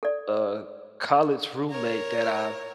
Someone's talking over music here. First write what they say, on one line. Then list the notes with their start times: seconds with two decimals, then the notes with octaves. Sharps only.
a college roommate that I
0.03 A4 D5
1.71 A#4 C#5